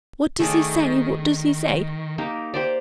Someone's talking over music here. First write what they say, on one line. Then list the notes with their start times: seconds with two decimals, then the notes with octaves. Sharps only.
'What does he say, what does he say?
0.39 D#3 A3 G#4 D5
2.18 A#3 D#4 G4
2.54 G4 C5 D5